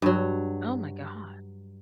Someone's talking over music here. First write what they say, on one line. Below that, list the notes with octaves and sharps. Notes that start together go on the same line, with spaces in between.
Oh my god.
G2 F#3